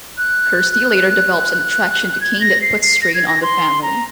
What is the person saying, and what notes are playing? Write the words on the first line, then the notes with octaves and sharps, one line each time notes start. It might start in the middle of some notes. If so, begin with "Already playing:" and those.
Kirsty later develops an attraction to Kane that puts strain on the family.
F#6
G#6
A#6
C7
C7
A#6
G#6
A#6
C6
A#5